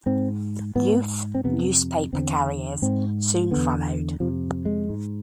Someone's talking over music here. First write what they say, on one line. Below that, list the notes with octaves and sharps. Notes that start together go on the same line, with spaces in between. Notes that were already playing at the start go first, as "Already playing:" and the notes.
Youth newspaper carriers soon followed.
G#2 C4
G#2 B3
C4
F2 C3 B3
E2 D3 C4
G#2 C4
E2 D3 B3
F2 C3 F3
G#3
G#2